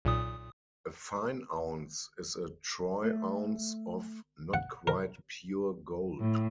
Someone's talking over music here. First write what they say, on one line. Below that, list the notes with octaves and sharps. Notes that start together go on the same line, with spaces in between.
A fine ounce is a Troy ounce of not quite pure gold.
B1 A#2 D#6
A3
F#5
A#4
A2